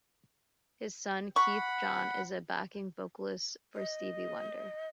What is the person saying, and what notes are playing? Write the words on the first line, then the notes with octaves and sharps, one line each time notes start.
His son Keith John is a backing vocalist for Stevie Wonder.
F#5 B5 C#6
D#5